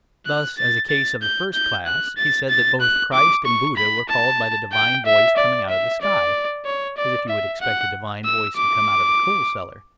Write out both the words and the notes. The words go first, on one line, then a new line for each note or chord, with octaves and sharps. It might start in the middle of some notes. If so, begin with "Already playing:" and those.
Thus, as a case of the first class, he said that both Christ and Buddha were called by the divine voice coming out of the sky, as if you would expect the divine voice to come out of the coal-cellar.
F#6
A6
A6
G6
G6
F#6
A6
A6
F#6
D6
C#6
B5
A5
G5
E5
D5
E5
D5
C#5
D5
E5
F#5
E6
D6